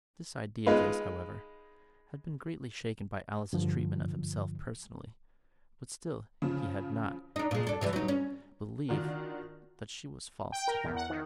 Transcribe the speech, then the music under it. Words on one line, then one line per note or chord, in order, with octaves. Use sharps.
This idea of his, however, had been greatly shaken by Alice's treatment of himself personally; but still he had not, hitherto, believed that she was false to him.
G#3 D#4 F4 B4
G2 D3 F3
C#3 F3
D4 D#4
A#2 G#3
D4 A4
C3 E3 G3
F#3 D#4
C#4
D#3 D4 F4 F#4 A#4
G5
A#4
E2
F#5
D#3